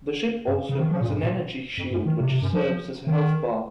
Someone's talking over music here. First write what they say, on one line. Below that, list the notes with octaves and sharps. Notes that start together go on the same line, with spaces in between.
The ship also has an energy shield which serves as a health bar.
F#2
C#3
D#3
F3
A#2
F2
F#2
A#2
F2
F#2
D#3
C3
C3
F#2
F3
D#3